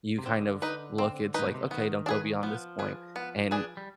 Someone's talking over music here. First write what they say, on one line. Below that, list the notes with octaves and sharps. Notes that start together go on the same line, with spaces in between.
you kind of look It's like, "Okay, don't go beyond this point, and
C3
D3 C4
D#4 B4
C4
G#2 D#4 B4
B2
C3
D3
D#3 B3
D4
G#4 B4
F3 B3
D4 G#4 B4
B3
D4 G#4 B4
G3